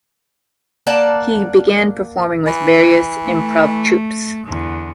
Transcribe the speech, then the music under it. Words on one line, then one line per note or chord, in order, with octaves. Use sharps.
He began performing with various improv troupes.
A#3 D5 F#5 A5
E3
A3
E2 D3